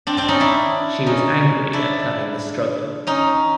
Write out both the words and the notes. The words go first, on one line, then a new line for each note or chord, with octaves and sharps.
She was angry at having this struggle.
C4 D4
C4 D4
C#4 D#4
D4 E4
C#4 D#4
D4 E4
C#4 D#4